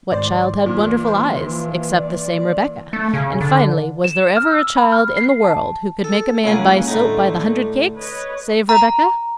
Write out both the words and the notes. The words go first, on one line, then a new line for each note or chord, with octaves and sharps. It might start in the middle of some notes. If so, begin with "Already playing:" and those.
What child had wonderful eyes, except the same Rebecca? and finally, was there ever a child in the world who could make a man buy soap by the hundred cakes, save Rebecca?
G#1 G#2 C5 D5
A#2 E3
D#3 B4 C5
F3
D5
A3
C#3
D3
E7
F6
E6
B5
F6
C7
A5
A4
C#2 C#3 A#3 C#4 F#5 G#5
A2 D3 A3 D#4
B4 C#5 D#5
A#5